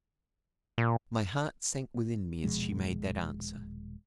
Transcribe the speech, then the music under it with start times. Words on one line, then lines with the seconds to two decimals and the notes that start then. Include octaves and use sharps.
My heart sank within me as she made that answer.
0.78 A#2
2.44 D#1 B2 F3 G#3